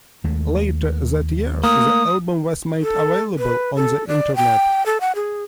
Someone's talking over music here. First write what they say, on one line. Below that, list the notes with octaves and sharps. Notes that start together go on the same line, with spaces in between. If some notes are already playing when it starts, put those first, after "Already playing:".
Later that year, the album was made available on the Internet.
D#2 G#3 A3
A3 A#3 D#6
A4
B4
A4
D5
G5
A4
F#5
G#4